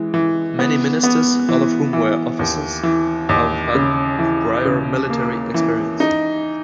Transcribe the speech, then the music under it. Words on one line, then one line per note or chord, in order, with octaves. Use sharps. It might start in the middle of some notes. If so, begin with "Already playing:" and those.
Many ministers, all of whom were officers, have had prior military experience.
Already playing: E3 G#3
E3
B3
B3
E3
E3
D#2
E3
D#2
C#3
E3
C#3
A#3
E3
D#4